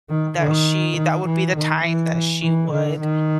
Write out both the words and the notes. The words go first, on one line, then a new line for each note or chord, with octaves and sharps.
that she that would be the time that she would,
D#3
D#3
D#3
E3
D#3
E3
E3
D3
D#3